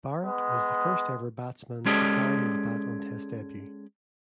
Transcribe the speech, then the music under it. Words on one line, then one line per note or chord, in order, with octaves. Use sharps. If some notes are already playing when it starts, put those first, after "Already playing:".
Barrett was the first ever batsman to carry his bat on test debut.
G#3 B3
G#3 C#4 G4 A4 D5 D#5